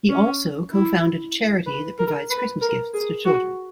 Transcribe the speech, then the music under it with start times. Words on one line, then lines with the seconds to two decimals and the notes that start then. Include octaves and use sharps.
He also co-founded a charity that provides Christmas gifts to children.
0.09 C#4
0.72 E4
1.66 B4
1.99 A#4
2.30 B4
2.61 A#4
2.94 G#4
3.25 F#4